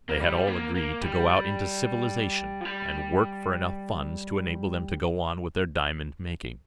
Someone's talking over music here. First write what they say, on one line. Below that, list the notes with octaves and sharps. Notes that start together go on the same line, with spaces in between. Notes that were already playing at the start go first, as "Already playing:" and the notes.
They had all agreed to go out into civilization, and work for enough funds to enable them to go on with their diamond making.
A#3
G3
A#3
A#3
G3
F3
G3